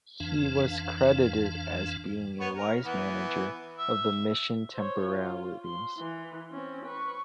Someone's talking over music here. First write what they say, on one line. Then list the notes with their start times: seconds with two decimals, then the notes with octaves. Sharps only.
He was credited as being a wise manager of the mission temporalities.
0.20 F2 E3 D4 F5
2.40 B3 C#5
2.55 A#4
2.83 E3 B3
3.78 E5
4.74 C5 C#5
5.06 F4
5.65 C6
5.97 E3
6.51 C4 C#4
6.86 B4 C#6